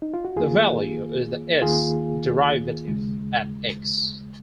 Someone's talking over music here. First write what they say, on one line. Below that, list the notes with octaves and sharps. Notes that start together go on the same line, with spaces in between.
The value is the "S" derivative at "x".
D#4
F4
F#4
F2 D#3 A#3 F4 G#4
D#2 D#3 A#3 F4 G#4
D#2 C#3 G#3